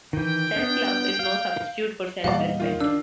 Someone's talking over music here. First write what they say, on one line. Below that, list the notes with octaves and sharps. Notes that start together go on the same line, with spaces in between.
Self-love is no substitute for self-respect.
D#3 E3 G5
B3 D4
F5
E2 A#2 E3 G3 D5 F5 F#5
D#4
D#3 F4
D4 E6